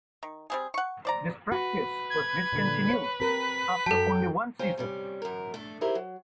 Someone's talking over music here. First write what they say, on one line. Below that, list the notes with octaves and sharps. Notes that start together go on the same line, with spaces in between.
This practice was discontinued after only one season.
D#3
G3 C4 G#4
F#5 C#6
C5 D5 A#5
F#4 B4
G#6
A#2 D3
C5 C#5
C4 G4 A#4 B6
F#2 F#3 A4 G5 A5
D#4 F4 C5 C#5 G5 G#5
C3 G3 C#4
F#2 A#4
A3 D4 A4
D#4 E4 G4 G#4 A#4 C5
F#3